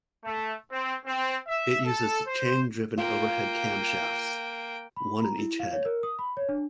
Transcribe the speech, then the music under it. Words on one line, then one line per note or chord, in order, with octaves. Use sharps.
It uses chain-driven overhead camshafts, one in each head.
A3
C4
C4
E5
A4
C5
A#3 F4 G5
B5
A#5
E4
F5
C#5
A#4
D#6
B5
C#5
D4